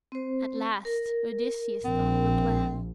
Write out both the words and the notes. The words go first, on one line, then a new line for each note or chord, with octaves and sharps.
At last Odysseus thought of a plan.
C4 C5
A#4
A#1 C4